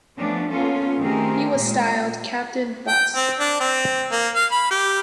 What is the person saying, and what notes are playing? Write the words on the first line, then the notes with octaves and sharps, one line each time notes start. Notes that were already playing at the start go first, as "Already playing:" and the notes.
He was styled "Captain Busk".
F3 A3 B3 C#4 D4
A#3 B3 C#4 F4 A4
D#3 A3 C4 G4 G#4 A#4
A#2 G#3
G5
C4
D4
C4
A#3
F5
B5
G4